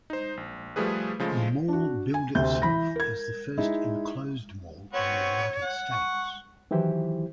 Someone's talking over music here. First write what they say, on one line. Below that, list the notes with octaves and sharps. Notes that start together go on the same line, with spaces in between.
The mall billed itself as the first enclosed mall in the United States.
D#4 C5
A#1
F3 G3 A3 G#4 B4
C#3 F3 G#3 A3
D4 F#4
G#5
D2 C3 G6
E3 B5 A#6
A#4 G#6
G#3 D#4 E4
B3 C4 F#4 C#5
F#5
C#6
D#3 E3 F#3 E4 G4 C5